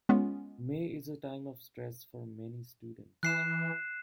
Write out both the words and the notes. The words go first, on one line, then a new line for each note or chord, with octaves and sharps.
May is a time of stress for many students.
G#3 B3 C#4 F4
E3 F#6 C7 E7